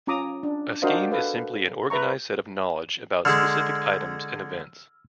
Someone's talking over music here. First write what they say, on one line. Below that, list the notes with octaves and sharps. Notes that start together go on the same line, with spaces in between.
A scheme is simply an organized set of knowledge about specific items and events.
C#4 F4 A#5 D6 D#6
D4
D4 F#4 A#4 C5 D#5 F5
A4 B4 F5
B4 E5 A#5 C#6
D3 G#3 E6 F6